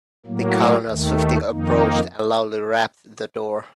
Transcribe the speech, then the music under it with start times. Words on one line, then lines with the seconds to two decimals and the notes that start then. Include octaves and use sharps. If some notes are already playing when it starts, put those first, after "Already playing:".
The colonel swiftly approached and loudly rapped the door.
0.26 A2 F#3 A#3
0.89 D#2 D#3 A3
1.50 F2 D#3 A#3 D#4